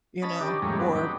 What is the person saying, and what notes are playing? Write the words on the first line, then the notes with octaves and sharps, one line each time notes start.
you know, or
C#4 D#5 A5 B5
D#3 D4 G4
F2 A2 G3 G#3 A#3 C#4
F#3 B3 C4 D4
D4 D#4 B4 G5